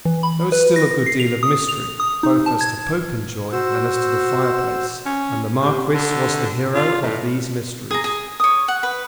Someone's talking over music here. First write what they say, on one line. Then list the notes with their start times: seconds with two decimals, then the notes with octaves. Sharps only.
There was still a good deal of mystery, both as to Popenjoy and as to the fireplace, and the Marquis was the hero of these mysteries.
0.05 E3
0.23 B5
0.52 B4
0.76 A#6
1.06 C7
1.20 F7
1.43 D#6
1.69 F7
2.00 D#6
2.23 D#4
2.46 A5
2.61 G#6
3.52 F#4 C5 E6
5.06 C#4
5.61 C3
5.94 D3
6.75 F4
7.03 A2
7.91 G#4 A#5
8.04 G#4
8.40 C#5 D#6
8.68 F#5
8.83 B4